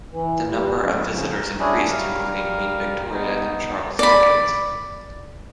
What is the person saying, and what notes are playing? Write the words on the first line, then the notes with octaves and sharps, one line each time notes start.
The number of visitors increased, including Queen Victoria and Charles Dickens.
E3
G3
F#2
F2 C#3
A#4
F#3 C#4 D4 E4 G#4
G3 A#4 F5
B3 D#4
D5 B5